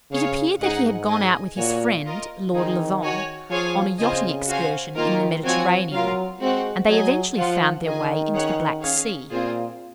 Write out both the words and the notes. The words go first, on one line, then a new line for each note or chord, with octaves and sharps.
It appeared that he had gone out with his friend, Lord Levant, on a yachting excursion in the Mediterranean, and they eventually found their way into the Black Sea.
C#3 G#4 C#5 F5
G#2 D#4 G#4 D#5 F#5
G#4 D#5 G#5
A#2 F#4 C#5 G#5
F4 A#4 D#5
D#3 C4 D#4 G#4
F#4 C#5 G#5
F3 F4 G#4 C#5 F5 G#5
C#3 C4 F4 C5 D#5 G#5
F#4 C5 F5 G#5
D#3 A#3 F4 A#4
F3 C4 F#4 C#5 G#5
F#3 F4 A#4 F5
G#3 C4 F#4 C5 F#5
F#3 G#4 D#5 G#5
F3 F4 C5 F#5
D#3 G#4 D#5 G#5
C#4 G#4 C#5 F#5
C#4 G#4 C#5 F5
A#2 C4 F4 G#4 C5